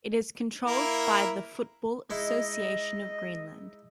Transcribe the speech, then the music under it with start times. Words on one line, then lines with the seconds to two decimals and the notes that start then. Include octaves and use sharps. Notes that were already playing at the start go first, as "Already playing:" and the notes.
It is controlled by the Football Association of Greenland.
0.67 A#3 E4 A#4
2.10 G#3 D#4 E4 D#5